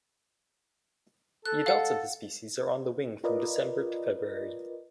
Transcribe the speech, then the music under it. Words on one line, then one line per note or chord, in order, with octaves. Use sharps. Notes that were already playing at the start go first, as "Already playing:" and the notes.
The adults of the species are on the wing from December to February.
A4 F#6
F5 F#5
F4 A#4 B4 D5 D#5